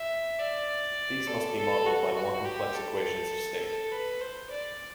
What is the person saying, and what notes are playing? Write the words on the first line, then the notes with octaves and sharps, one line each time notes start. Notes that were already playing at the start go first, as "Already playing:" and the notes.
These must be modeled by more complex equations of state.
Already playing: E5
D5
A4
A4
F#4
F#4
G4
A4
A4
B4
C5
D5